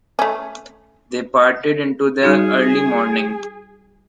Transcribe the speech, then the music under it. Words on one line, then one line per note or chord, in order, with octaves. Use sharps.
They partied into the early morning.
A3 C#4
G3 D#4 F#4 G#4